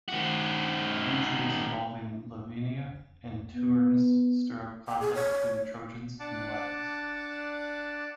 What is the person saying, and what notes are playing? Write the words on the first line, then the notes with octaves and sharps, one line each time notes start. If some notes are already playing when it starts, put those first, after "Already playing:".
Intrigues involving Lavinia and Turnus stir up conflict between the Trojans and the Latins.
D#3 F#4
B3
G5
G#4
C#5
D4 F#5 A5 D6